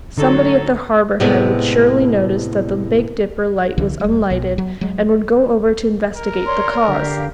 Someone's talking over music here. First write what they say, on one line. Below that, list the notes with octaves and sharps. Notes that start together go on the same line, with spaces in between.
Somebody at the Harbour Head would surely notice that the Big Dipper light was unlighted and would go over to investigate the cause.
G#2 D3 F#3 A3 D#4 F#4 A4 C#5
A2 C3 G#3 B3 G#4 D5
C2 D3 E3
E1 G3
B1 B2
F#3
F#3 G#3
A#4
C#5 D5 C6
D3 G4 F5